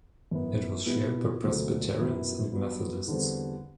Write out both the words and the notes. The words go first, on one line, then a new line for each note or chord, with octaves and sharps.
It was shared by Presbyterians and Methodists.
F#2 E3 B3
C2 B2 G3 B3 E4
E1 D2 D3 F#3 C4
F#2 F#3 B3 E4
G2 F#3 B3
E2 D3 G3 C4